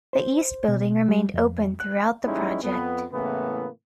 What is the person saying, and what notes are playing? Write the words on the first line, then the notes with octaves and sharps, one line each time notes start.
The East Building remained open throughout the project.
C5
B2
G3
F2
F#6
A1 G3 G#3 C#4 D#4 E4
F2 B3
A2 C#3 E3 A#3 B3